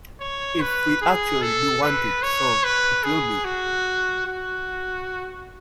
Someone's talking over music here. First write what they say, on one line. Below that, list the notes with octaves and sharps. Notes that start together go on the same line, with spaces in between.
If we actually do want it solved, it will be.
C#5
B4
G#4
A4
B4
C#5
B4
G#4
F#4
F#4